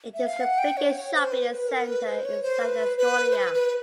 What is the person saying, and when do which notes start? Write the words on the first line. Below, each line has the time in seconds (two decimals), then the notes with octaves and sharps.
It is the biggest shopping center in South Estonia.
0.14 E5
0.27 F5
0.40 F#5
0.58 G5
0.77 C#5
0.96 C#5
1.14 C5
1.32 B4
1.52 B4
1.69 A#4
1.88 B4
2.06 C5
2.25 C#5
2.43 C5
2.62 B4
2.98 B4
3.31 C5
3.35 B4
3.54 B4